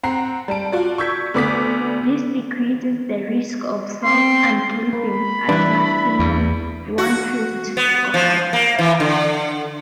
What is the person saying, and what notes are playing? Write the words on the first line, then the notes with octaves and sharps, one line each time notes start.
This decreases the risk of self-unclipping: at maximum, one twist goes off.
C4 F#5 A#5 C7
G3 A5 D7
F4 F#4 D5
C#6 E6 G6 G#6 B6
D2 D3 B3 D6 D#6 B6
C4 C6
A#3 B5
E3 G3 D4 E4 B4
E2
F#4
B3
F3
A#3
E3
D3